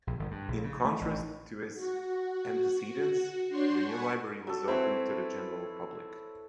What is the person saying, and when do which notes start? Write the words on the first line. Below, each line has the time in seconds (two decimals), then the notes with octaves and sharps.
In contrast to its antecedents, the new library was open to the general public.
0.07 A#1
0.19 G1
0.31 G2
0.48 A#1
0.64 C#3
0.85 A3
1.01 A1
1.75 F#4
3.49 D4 F#4 C#5 C6 G6 C7
3.84 F#5 G#5 A5 B5 C#6
4.47 F#3 A4
4.68 C4 E4 B4 C#5